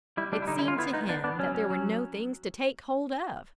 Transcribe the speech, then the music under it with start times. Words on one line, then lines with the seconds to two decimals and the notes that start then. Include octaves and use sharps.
It seemed to him that there were no things to take hold of!
0.17 G3 E4
0.32 G3 D4
0.42 E4
0.47 D3 D#4
0.59 E4
0.63 C#4 F4
0.78 B3 E4
0.93 B3 D#4
1.09 B3 D4
1.24 B3 D4
1.39 F#3 C#4
1.55 C#4
1.70 F#3